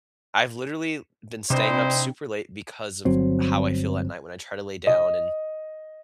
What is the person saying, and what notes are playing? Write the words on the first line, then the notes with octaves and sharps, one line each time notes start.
I've literally been staying up super late because of how I feel at night when I try to lay down, and
G2 C3 D#4 E4 C5
G1 F#3 C4
D#5